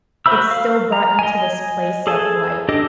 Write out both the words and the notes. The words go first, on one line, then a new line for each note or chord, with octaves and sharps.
it still brought you to this place of, like
F#4 C5 E5 B5 E6
F5
A#5
D#5 G#5
G#4 A4 G#5 A5
D4 G4 A4 D#5